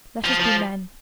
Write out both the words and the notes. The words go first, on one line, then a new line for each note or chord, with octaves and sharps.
Let us be men!
F3
F3